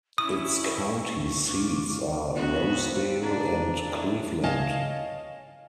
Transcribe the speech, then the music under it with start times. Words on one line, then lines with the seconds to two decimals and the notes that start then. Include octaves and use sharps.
Its county seats are Rosedale and Cleveland.
0.18 C#4 E4 C#6 D#6
1.48 F4 D6
2.35 E2 B3 F#4
2.73 G3 A#3 C4
3.22 F2 D4 A#5
3.94 A2
4.43 C#5 D#5 F5 G#5 A5